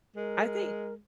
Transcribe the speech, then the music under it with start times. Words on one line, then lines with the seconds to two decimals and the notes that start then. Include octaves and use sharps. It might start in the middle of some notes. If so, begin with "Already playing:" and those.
I think
0.16 G#3 A#4